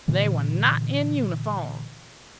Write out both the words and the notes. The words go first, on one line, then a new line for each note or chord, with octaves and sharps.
They were not in uniform.
A#2 D3 E3